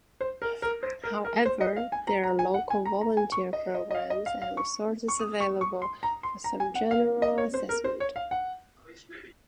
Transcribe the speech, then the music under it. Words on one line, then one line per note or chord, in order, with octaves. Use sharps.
However, there are local volunteer programs and resources available for some general assessment.
C5
A#4
A#4
C5
A#4
A#4
C5
D#5
F5
G#5
A#5
A#5
G#5
F#5
G#5
A#5
A#5
G#5
C#6
D#5
D#5
D#5
F5
D#5
F5
F5
C#6
C#6
D#6
C#6
C#6
C6
A#5
C6
A#5
G#5
F#5
F5
D#5
C#5
C5
A#4
C5
C#5
F5
F#5